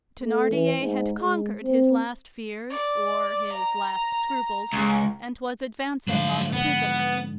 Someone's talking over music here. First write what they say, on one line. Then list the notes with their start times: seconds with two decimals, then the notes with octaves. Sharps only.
Thenardier had conquered his last fears or his last scruples, and was advancing on the prisoner.
0.21 A3
0.50 E3
0.80 G#2
1.17 G#3
1.63 C4
2.70 D5
3.52 A#5
4.73 C#2
6.07 G#2 D3 F3 F#3 F5
6.53 B3